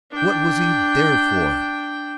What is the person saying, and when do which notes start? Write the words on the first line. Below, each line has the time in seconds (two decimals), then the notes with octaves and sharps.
What was he there for?
0.11 D4 G5